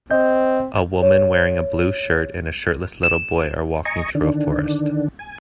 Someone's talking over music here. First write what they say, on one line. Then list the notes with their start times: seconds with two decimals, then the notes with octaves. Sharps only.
A woman wearing a blue shirt and a shirtless little boy are walking through a forest.
0.11 C4 D#5 G6
1.02 C#5
3.03 E7
3.85 D#5 G#5 A#5 C#6
4.15 D3 D#3 D4
5.19 G#5